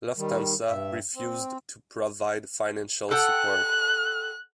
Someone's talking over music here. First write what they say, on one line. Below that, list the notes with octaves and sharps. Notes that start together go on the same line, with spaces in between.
Lufthansa refused to provide financial support.
D#3 G3
G2 E5
C4
A4 F#5 G5 F#6